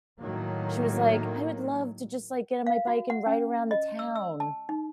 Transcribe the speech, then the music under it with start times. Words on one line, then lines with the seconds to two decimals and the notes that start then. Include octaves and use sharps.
she was like, "I would love to just, like, get on my bike and ride around the town."
0.21 A2 D#3 F#3 A#3
2.67 F5
2.87 F#4
3.10 F#5
3.26 C#4
3.71 D#5
3.99 E6
4.15 E6
4.40 A5
4.69 D#4